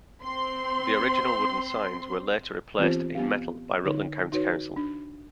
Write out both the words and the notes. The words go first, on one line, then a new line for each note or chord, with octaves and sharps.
The original wooden signs were later replaced in metal by Rutland County Council.
C4 C6
E3 B3 C4 F4 G4 C5
B3 G4 F5
D3 D#4 C#5
D#4 F#4 B4 C#5
D4